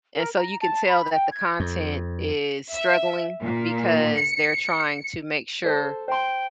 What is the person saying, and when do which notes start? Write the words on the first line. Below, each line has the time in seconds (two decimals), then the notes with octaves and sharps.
And so you can tell that the content is struggling because they're trying to make sure
0.15 A#4
0.37 A#5
0.61 A5
0.87 B5
1.11 G5
1.32 G#6
1.60 F2
2.72 E5
3.41 A#2
4.18 C#7
5.64 A4 C5 A5
6.08 C5 G5 C6